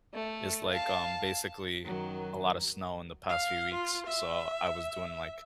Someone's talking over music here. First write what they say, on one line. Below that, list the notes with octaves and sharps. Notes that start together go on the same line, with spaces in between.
is, like, um, basically a lotta snow in the past few weeks, so, I was doing, like,
A3
F5 A5
F#2 D#3 F#3
F5
F4
E5